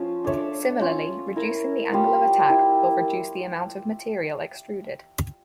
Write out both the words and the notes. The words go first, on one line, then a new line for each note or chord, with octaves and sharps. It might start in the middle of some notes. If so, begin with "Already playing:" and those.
Similarly, reducing the angle of attack will reduce the amount of material extruded.
Already playing: F3 C#4 F4
D4 A4 C#5 E5
C#4 F4 C#5
E4 A#4 E5
G3 C#4 F4
G3 A#3 E4